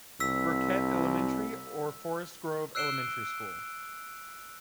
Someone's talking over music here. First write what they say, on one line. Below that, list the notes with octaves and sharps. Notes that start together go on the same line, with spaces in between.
Burkett Elementary or Forest Grove Elementary School.
C2 E6 B6
E6 F#6 C7 D7 E7 G7